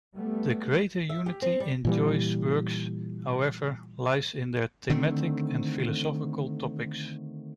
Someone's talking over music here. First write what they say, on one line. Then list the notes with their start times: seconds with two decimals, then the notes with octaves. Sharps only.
The greater unity in Joyce's works, however, lies in their thematic and philosophical topics.
0.15 G3 A3 B3
1.09 E5
1.26 G4
1.42 C4
1.60 G3
1.85 A#2 E3 G3
4.90 D3 D#3 A3 C4